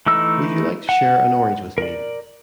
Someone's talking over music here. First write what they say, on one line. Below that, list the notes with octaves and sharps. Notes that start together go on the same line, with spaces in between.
Would you like to share an orange with me?
E3 A3 D#4 E6
F#5
A#4 D5